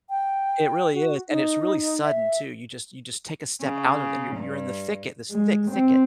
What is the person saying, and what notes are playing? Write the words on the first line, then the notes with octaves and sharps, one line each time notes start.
it really is, and it's really sudden too, you just you just take a step out of and you're you're in the thicket, this thick thicket,
G5
F#4
D#4
E5
C#3
G2
G#3
C4